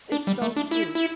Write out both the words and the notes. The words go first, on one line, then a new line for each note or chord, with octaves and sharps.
It's so cute
D4
G3
A3
D4
E4
E4